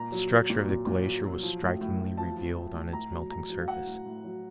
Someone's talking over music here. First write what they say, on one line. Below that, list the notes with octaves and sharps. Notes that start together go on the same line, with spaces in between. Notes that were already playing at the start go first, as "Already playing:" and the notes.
The structure of the glacier was strikingly revealed on its melting surface.
Already playing: A#2 A#5
F#3
F#3
A#2
A#2
A#2
F#3
F#3
F3
A2
A2
A2
F3 A5
F3
F3
A2
A2 A#5
F#3
A2 A#5
F#3
F5
A2 F#5
A2
A2
F#3